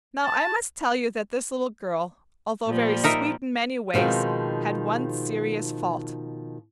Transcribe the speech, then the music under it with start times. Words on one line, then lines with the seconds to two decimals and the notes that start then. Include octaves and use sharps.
Now I must tell you that this little girl, although very sweet in many ways, had one serious fault.
0.24 A5
2.66 A#2 F3 G3
3.04 D#4 A#4 E5
3.94 B2 D#3 F3 G#3 C4